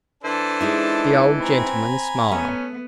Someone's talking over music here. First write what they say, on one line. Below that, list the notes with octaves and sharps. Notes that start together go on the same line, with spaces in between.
The old gentleman smiled.
E3 D4 A4 C5 A5
G#3 D#4 E4
C4 G#5 A#5 B5
A3 B3 C#4